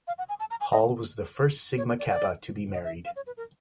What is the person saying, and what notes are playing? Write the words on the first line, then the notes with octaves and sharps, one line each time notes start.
Hall was the first Sigma Kappa to be married.
F5
F#5
G#5
A5
A#5
G#5
D#5
C#5
D5
D5
D5
D#5
E5
F5
C#5
B4
A#4